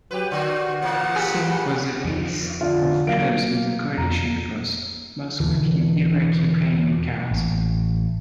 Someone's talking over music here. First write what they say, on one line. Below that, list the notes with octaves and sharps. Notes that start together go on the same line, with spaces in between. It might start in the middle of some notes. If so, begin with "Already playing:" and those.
Qusay was the ace of clubs in the coalition forces' most-wanted Iraqi playing cards.
F#3 G4 B4
D3 F#4 D5
A#2 E3 A#3 F#5
G4 G#4
F2 F3
D3 F4
F#3 A#3 F5 D7
F2 A#5
E1 C#2 D3 E3
A1